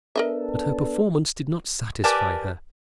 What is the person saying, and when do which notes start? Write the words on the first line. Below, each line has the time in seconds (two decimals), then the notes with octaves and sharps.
But her performance did not satisfy her.
0.16 B3 D4 A4 A#4 D#5 E5
2.04 G4 A#4 B4 D5 G#5 A5